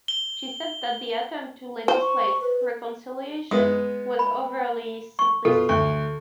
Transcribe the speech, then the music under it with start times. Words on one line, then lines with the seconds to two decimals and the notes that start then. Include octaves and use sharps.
She said that the attempt to legislate reconciliation was overly simplistic.
0.08 G7
1.88 E4 C5
2.01 C#6
2.41 B4
3.51 G#3 B3 D#6
4.19 B5
5.19 C#6
5.45 B2 F4 A4
5.69 D2 C#6